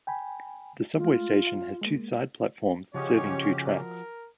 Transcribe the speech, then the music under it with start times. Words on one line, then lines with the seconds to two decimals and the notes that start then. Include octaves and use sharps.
The subway station has two side platforms serving two tracks.
0.07 G5 G#5 B5
0.97 G#3 A3 F4
1.47 F5
1.82 G#3 A#3
2.95 C#3 F3 C#4 F#4 G4 C#5 D#5
3.67 A#4